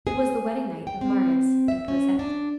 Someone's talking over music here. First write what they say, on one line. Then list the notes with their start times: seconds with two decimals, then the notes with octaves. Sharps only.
It was the wedding night of Marius and Cosette.
0.07 G#4
0.87 G5
1.01 C4
1.68 E5
1.88 C#4
2.19 D4